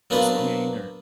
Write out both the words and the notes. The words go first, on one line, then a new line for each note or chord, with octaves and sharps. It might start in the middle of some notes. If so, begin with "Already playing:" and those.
go swimming, or
F#3 A#3 B3 D4 B4 C5